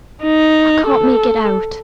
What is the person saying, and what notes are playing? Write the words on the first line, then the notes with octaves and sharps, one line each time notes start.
I can't make it out.
D#4
A4